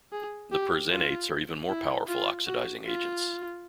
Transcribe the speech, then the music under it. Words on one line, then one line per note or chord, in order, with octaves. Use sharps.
The perxenates are even more powerful oxidizing agents.
G#4
G4
F4
E4
F4
F#4
F4